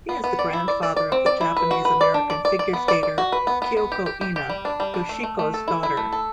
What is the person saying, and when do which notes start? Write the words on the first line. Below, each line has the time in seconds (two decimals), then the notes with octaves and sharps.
He is the grandfather of the Japanese-American figure skater Kyoko Ina, Yoshiko's daughter.
0.09 B3
0.24 B3
0.39 D5
0.53 E4
0.68 D5
0.83 D5
0.96 D5
1.12 C4
1.26 D5
1.41 E4
1.57 B4
1.71 F#4
1.85 B4
2.01 D5
2.14 D4
2.30 D5
2.45 D5
2.59 D5
2.73 B3
2.88 D5
3.03 D5
3.18 F#4
3.32 B4
3.47 B3
3.62 B3
3.77 B3
3.92 G4
4.06 G4
4.21 G4
4.36 G4
4.50 G3
4.65 D4
4.80 G3
4.94 D4
5.09 A3
5.23 A3
5.39 A3
5.54 A4
5.68 E4
5.83 E4
5.97 A3
6.13 A4